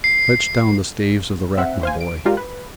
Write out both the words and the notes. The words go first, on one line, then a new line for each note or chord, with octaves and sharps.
Fetch down the staves of the rack, my boy.
C7
C4 E5 F#5
C5 F5 G#5
D7
G#3 D4 F4 G4 A#4
B4